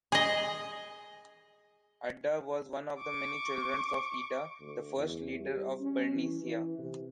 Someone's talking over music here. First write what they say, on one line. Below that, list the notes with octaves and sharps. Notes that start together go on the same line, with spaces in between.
Adda was one of the many children of Ida, the first leader of Bernicia.
G#4 D#5
C#6 D6
D2
E2
G3
C#4
E3
E3
C3